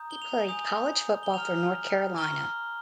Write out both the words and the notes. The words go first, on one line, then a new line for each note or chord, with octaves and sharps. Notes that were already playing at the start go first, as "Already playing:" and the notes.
He played college football for North Carolina.
Already playing: A#5 D#6 G6
G7
F7
G#5 D#6 G6 F7
G7
A#5 F6 F7
A#5 C#6 F6 G7